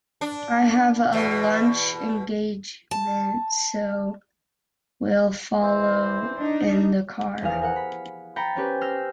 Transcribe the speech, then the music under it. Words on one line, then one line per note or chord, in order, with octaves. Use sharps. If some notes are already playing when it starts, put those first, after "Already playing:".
I have a lunch engagement, so will follow in the car.
D4
E2 B2
A5
E3 C4 C5
D4 D#4
F1 E2 G#4 F5
A#4 F5 F#5
B5
G5 A#5 B5 A6 C#7
C4 C#4 G4 B4
E6 F6 G6 A#6 C7